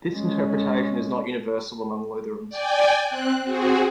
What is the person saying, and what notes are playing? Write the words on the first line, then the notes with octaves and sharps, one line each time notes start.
This interpretation is not universal among Lutherans.
G#3 C#4
D5 G5 G#5
C4 F#6
C4 F#4 G#4